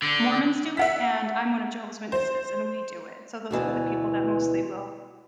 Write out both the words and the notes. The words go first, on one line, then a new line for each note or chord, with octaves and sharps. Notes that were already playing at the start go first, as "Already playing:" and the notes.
Mormons do it, and I'm one of Jehovah's Witnesses, and we do it, so, those are the people that mostly will,
D3
E5 F#5 B6
C5
D2 B2 E3